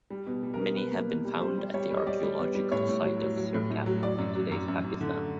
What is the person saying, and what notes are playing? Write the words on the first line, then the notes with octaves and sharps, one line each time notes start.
Many have been found at the archaeological site of Sirkap, in today's Pakistan.
G3
B2
G3
A#4
B2
B2 B4
A#3
B2
G3
G3 C5
G3
G3 C#5
G3
D#5
G3 D5
G3
B3
G3
A2 C#5
A2
F#3
F#3
F#3
A2
A2
F#3
F#3 D5
F#2
F#3
F#2
F#2
F#2
D3